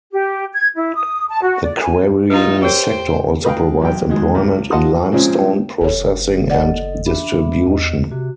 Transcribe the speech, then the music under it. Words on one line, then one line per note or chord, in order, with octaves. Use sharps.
The quarrying sector also provides employment in limestone processing and distribution.
G4
G#6
E4
D#6
A5
F#4
D5
G#5
D#4 F4 B4
G4 A#4 C5 C#5 G5
B4 D#5 F5 G5
B1 G5
D#3 F#3 G#3
C#2
F4 D#5 F#5 A5 C6 D#6
A#2 C#3 F3 G#3 C4 C#4
F#1 A4 C#5
A4 D5 D#5 F#5
D4 E5 B5
E2 D#5
C3 F#4